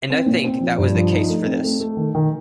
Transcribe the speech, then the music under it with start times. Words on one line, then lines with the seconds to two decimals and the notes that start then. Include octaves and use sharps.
And I think that was the case for this.
0.10 C4
0.26 A#2
0.44 C4
0.61 F3
0.78 G2
0.95 F3
1.12 D#4
1.29 A3
1.46 C4
1.64 A3
1.80 A3
1.97 D#3
2.15 D#3